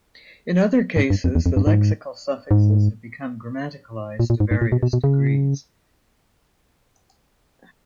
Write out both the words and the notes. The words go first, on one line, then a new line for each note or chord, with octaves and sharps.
In other cases, the lexical suffixes have become grammaticalized to various degrees.
G#2
G2
F2
E2
F2
G2
G#2
G#2
A#2
A#2
G#2
G#2
A#2
B2
B2
B2
C#3